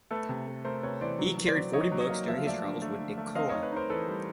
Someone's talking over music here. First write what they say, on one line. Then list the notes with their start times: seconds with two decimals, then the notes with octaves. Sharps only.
He carried forty books during his travels with de Croix.
0.11 A3 A4 B4
0.29 C3
0.47 A3
0.65 A3 A#4 C5
0.83 C3 B4 C#5
1.01 E3 C5 D5
1.19 F#3
1.37 F#3
1.46 C5 D5
1.55 F#3
1.73 D#4 C#5 D#5
1.92 F#3
2.00 C#5 D#5
2.10 A#3
2.28 F3 E5
2.38 F5
2.46 A3 D5 E5
2.63 D3
2.82 A3
2.99 D3
3.18 A3
3.35 C4 D#5 F5
3.49 D#4 C#5 D#5
3.63 B4 C#5
3.72 D#4 A#4 C5
3.90 E3 A4 B4
4.08 G3